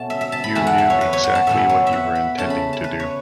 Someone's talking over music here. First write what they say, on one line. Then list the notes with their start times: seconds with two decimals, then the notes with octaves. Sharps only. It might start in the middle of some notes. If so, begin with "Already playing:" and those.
You knew exactly what you were intending to do.
Already playing: B2 A3 C#4 A5
0.10 E5
0.21 E5
0.32 A5
0.44 B5
0.55 E2 E3 A3 A5
0.67 F#5
0.78 E5
0.90 C#5
1.01 B4
1.13 C#5
1.23 F#5
1.35 A5
1.47 A2 E3 B3 E5
1.69 C#5
1.87 E5
1.93 F#5
2.15 B5
2.38 C#3 A3 C#4 A5
2.50 B5
2.73 A5
2.84 B4
3.00 C#5